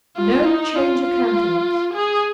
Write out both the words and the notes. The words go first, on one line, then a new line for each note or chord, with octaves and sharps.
No change of countenance.
F4
D#4
F4
F4
G#4